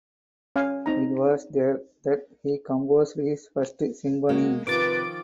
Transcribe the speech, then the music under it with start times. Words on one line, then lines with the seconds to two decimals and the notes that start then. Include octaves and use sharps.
It was there that he composed his first symphony.
0.56 C#4 F5 G#5
0.86 C4 D#4 A#5
4.29 G#3 A#3 F#4
4.67 C3 D#3 F3 F4 B4 D6 A6 D7